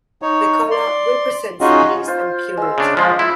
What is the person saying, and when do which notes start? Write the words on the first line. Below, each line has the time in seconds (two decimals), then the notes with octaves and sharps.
The color represents peace and purity.
0.22 D#4 C#5
0.71 D5 C6
1.61 C#4 D#4 F4 F#4 G#4 D#5
2.07 F4 C5
2.57 G#3 E6
2.78 C#3 D4
2.97 F3 G#3 F4
3.19 E4